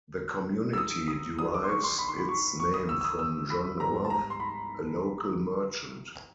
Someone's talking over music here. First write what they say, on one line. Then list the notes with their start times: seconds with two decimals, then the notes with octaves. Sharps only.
The community derives its name from John Roth, a local merchant.
0.73 E6
0.78 D#6
1.08 D#6
1.39 D#3 F#3 B3 D4 D#6
1.54 D6
1.64 C6
1.69 C#6
1.84 C6
1.98 B5
2.08 C6
2.18 B5
2.29 C#6
2.60 C#6
2.74 D#6
2.89 E6
3.01 E6
3.04 D#6
3.19 E6
3.50 B5
3.80 G#2 D#3 G3 B3 A#5
4.05 A5
4.10 A#5
4.30 C6
4.40 B5